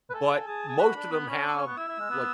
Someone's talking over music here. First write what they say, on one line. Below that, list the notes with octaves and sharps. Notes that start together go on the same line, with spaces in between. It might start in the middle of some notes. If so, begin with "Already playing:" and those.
but most of 'em have, like,
B4
A4 G#5
G#4 A5
G#4
F#4 B5
D4
B3
C#4
C#6
C#4
B3
E4 E6
E4
G#3
B3